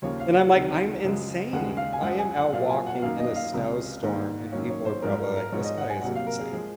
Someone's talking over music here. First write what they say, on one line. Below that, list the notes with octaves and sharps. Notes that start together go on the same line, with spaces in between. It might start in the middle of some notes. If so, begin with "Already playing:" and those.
and I'm like, "I'm insane." I am out walking in a snowstorm, and people are probably like, "This guy is insane."
D#2 C#3 F3 A#3 C#5
F5
F#5
C#2 C3 D#3
F#2 C#3 F3 G#3
D#2 C#3 G#3 F#5
F5
G#5
F#2 F3 G#3 F#5
G#5
F#5
A#2 F#3 A#3 F5
G#5
F#5
F#2 D#3 A#3 F5
D#5
F5
C#2 C3 F3 G#3
G#2 D#3 A#3
F#2 D#3 F#3 A#3 C#5
C#5
C5
G#2 F3 G#3 A#4
A#4
A#4
G#2 F3 G#3 C#5
D#5
F#5
G#5
C2 C3 F#3 A#3 F#5
F5
A#4
G#4
F3 G#3 G#4